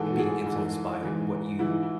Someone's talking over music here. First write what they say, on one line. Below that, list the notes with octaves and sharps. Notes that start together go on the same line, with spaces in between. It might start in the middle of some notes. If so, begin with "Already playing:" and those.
and being influenced by what you
Already playing: G#2 E3 A4
F#4
G#4
G#2 E3
G#2 E3
G#2 E3 E4
E4